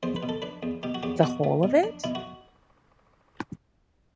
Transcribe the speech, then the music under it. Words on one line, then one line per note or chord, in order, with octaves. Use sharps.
The whole of it?
E2 C5
B4
B2
A4
D4 B4
E2
B2 G4
F#4
E2 G4
B2 F#4
A3
B2
D4
B2 E4
F#4